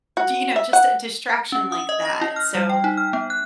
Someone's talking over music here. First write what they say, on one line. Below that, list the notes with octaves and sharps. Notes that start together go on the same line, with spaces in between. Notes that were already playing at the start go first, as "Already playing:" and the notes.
do you know, just a distraction like that. So,
F#4
E5
F#5
C#4
D#6
D#5
A#6
E4
F6
G3
G5
D#4
F6
B3
F#6